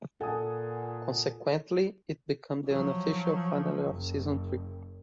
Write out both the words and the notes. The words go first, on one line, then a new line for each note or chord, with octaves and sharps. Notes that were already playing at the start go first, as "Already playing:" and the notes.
Consequently, it became the unofficial finale of season three.
A#2 A4 F#5 G#5 D#6
F3 F#3
F#1